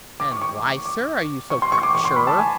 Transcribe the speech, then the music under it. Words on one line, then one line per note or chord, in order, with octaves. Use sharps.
"And why, sir, are you so cock sure?"
D6
C#6
C#6
D6
C#6
C6
C#6
D6
C#6
C6
B5
A5
G#5